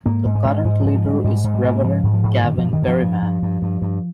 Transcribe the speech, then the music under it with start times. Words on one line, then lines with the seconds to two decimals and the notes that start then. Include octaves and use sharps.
The current leader is Reverend Gavin Berriman.
0.05 G#2 A#3
0.25 G#2
0.35 G#3
0.45 G#2
0.65 G#2 G#3
0.80 G#2 F3
0.95 F3
1.04 G#2
1.10 G3
1.24 G#2 G3
1.44 G#2
1.54 G3
1.64 G#2
1.69 A#3
1.84 G#2 F3
2.03 G#2
2.13 F3
2.23 G#2
2.43 G2 D#3
2.58 G2 F3
2.73 D#3
2.82 G2
2.88 F3
3.02 G2
3.22 G2
3.42 G2
3.62 G2
3.82 G2